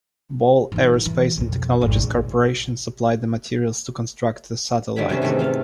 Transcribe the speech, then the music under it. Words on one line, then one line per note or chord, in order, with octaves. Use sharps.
Ball Aerospace and Technologies Corporation supplied the materials to construct the satellite.
E3 D#4
E4
E3
B1 F2
G#1 F2
A#1
D3 D#3 G3 E4 G5 B5
C3 B3 C#4 C5
G#2 D#3 E3 A3
C4 F4 F5